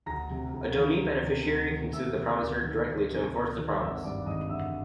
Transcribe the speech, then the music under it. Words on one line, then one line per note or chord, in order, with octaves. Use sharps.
A "donee beneficiary" can sue the promisor directly to enforce the promise.
D2 A#5 A#6
C3
D2
D#3
D2
C3
D2
D#3
D2 E5 E6
C3
D2
D#3
D2
C3
D2
D#3
G#1 E5 E6
G2 D5 D6
G#1 D#5 D#6
D3 E5 E6